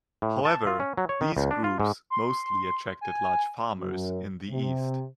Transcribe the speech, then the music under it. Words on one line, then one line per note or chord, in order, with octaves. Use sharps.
However, these groups mostly attracted large farmers in the east.
A2
A5
F4
C#4
F#3
C#5
D#3
C#2
D4
F4
G#2
C6
G#5
F#2
C3